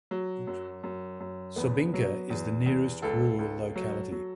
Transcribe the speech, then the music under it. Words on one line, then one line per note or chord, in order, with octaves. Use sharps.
Sobinka is the nearest rural locality.
F#3
F#2
F#2
F#2
E2 B3
F#3
E2
E2
C#2 A4
C#2
F#3
F#3